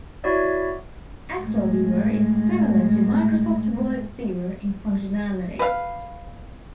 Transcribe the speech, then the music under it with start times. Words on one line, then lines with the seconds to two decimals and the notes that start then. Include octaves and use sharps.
Excel Viewer is similar to Microsoft Word Viewer in functionality.
0.24 E4 F#4 C#5 D5 E5
1.40 A2 G#3
5.59 B4 F5